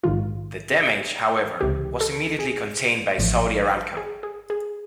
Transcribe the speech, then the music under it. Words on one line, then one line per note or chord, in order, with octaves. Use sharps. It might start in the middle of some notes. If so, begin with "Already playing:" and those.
The damage, however, was immediately contained by Saudi Aramco.
A#1 G#2 D#3 G#3 F4
C#2 C3 E3 G4
A4
G#4
A1 A2 F3
G#4
G#4
G#4